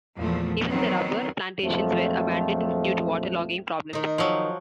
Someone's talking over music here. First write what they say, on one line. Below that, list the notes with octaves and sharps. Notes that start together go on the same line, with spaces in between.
Even the rubber plantations were abandoned due to water logging problems.
E2 A#2 F3 A3
D#3 F#3 B3 C4
A#1 F2 F3 F#3 A3
D#3 D#4
F3 F#3